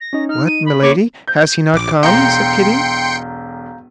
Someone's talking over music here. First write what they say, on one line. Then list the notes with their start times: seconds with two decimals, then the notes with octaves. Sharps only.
"What, Milady! has he not come?" said Kitty.
0.01 A#6
0.13 C#4 D#4
0.29 D#4 F6
0.46 D#7
0.66 B5
0.83 A#3 C#4 C#5 C#6 D6
1.27 G6
1.73 A#1 D6
2.03 E1 B1 F5 G5 A#5 C6 G6 C#7